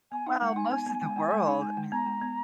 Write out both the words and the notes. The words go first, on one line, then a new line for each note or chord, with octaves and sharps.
Well, most of the world, I mean
B3 G#5
D#4 F5
G#3 F#5
D#4 G#5
B3 G#5
B3
G#3
G#3
G#3
D#4
G#3
G#3
B3 A#5
G#3
B3